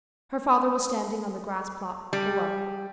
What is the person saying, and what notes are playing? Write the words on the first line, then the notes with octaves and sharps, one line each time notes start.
Her father was standing on the grass-plot below.
G3